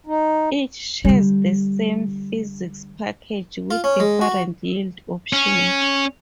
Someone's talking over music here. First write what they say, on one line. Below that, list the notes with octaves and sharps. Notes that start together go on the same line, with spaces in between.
Each shares the same "physics package", with different yield options.
D#4
D3 G3
F4
C#4
G#3
F#4
C#4